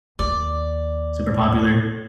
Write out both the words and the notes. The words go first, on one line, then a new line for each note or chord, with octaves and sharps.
Super popular.
D#2 D5